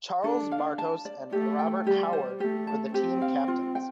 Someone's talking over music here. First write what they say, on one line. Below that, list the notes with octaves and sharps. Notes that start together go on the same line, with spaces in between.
Charles Bartos and Robert Howard were the team captains.
D4 A4
F5
A5
D5
A3 G4
G5
G3 G4
C5
A3 G4
A5
C4 G4
F5
F4
G5